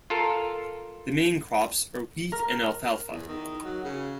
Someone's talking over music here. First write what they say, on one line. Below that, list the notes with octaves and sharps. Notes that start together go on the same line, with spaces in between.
The main crops are wheat and alfalfa.
F4 A4 A#4
A#4
E2
D#3
F#3
C#3